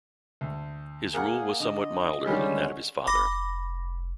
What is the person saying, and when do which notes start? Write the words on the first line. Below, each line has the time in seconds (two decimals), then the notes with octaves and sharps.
His rule was somewhat milder than that of his father.
0.41 D2
1.14 A#3 G#4 A#4 F#5
1.60 D3 D#5
2.25 D3 D#3 G3 G#3 C#4 G4
3.07 F1 B5 D6 A#6